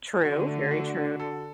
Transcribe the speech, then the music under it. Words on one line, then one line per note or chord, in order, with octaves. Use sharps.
True. Very true.
D3 F#4
A3
F#4
F#4
A4